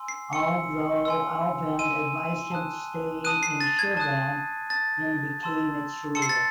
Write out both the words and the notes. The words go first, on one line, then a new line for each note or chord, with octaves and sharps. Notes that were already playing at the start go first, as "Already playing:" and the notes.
Although Alvand advised him to stay in Shirvan and became its ruler.
Already playing: G#5 C6 E6
C7
G#5 C6 E6 C#7
G#5 C6 E6
G#5 C6 E6 D#7
A5 D#6 F#6
A5 D#6 F#6 D#7
C7
A6
G#6
A5 D#6 F#6
A5 D#6 F#6 A6
A5 C6 E6
A5 C6 E6 C#7
C7
A6